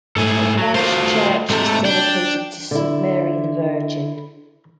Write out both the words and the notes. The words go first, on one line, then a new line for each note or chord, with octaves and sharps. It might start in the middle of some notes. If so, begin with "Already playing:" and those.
The parish church is dedicated to Saint Mary the Virgin.
G#2 A3 A4 G#5
F#3
A3 F4 F#4 C5
G#2 C3 A3 A4
D4 G5
D3 E4